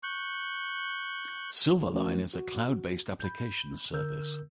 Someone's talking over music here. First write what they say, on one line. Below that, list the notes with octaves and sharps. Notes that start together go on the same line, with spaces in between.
Silverline is a cloud-based application service.
C#6 F#6 G6
F3 A3 C#4 F#4 A#4
F#4
B5 G6
D3 A#4 E6 G6